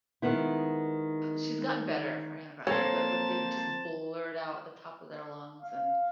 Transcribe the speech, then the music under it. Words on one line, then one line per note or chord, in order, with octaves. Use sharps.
she's gotten better, Ariana Grande, but, like, they just blurt out the top of their lungs and
D#3 G#3 B3 E4
F3 A#3 C4 A4 C5 C#5 A5
F5